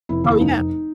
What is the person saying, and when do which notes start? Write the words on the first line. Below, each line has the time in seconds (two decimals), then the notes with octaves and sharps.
Oh, yeah.
0.09 F1 E4
0.24 D#2 E4
0.40 F1 D#4
0.56 F1